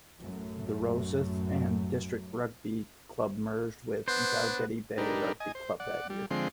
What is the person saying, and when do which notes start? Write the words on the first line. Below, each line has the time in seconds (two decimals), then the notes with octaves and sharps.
The Rosyth and District rugby club merged with Dalgety Bay rugby club that year.
0.19 A1 F#2 F#3 A3
4.08 B3 D4 B4 C5
4.98 D4 D#4 G4 A#4 B4
5.40 D#5 G#5
5.55 C5
5.80 D5 F#5
6.10 G3
6.31 D3 F3 G#3 C4 C6